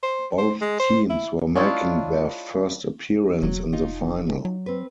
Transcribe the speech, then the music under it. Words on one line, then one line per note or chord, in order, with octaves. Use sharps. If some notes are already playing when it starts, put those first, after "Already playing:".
Both teams were making their first appearance in the Final.
C5
C5
G#3
C5
E4
G#3 C#4 D4 E4 F4
E1 F#3
D#4 F4
F#3
C4 B4